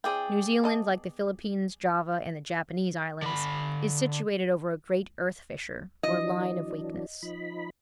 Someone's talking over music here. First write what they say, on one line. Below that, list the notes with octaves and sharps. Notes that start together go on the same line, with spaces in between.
New Zealand, like the Philippines, Java and the Japanese Islands, is situated over a great earth-fissure or line of weakness.
E3 C4 G#4 D5 G5
B3 D#5 A5
D3 B5
E3 F#3 D4 D#5
F3 D#4 B5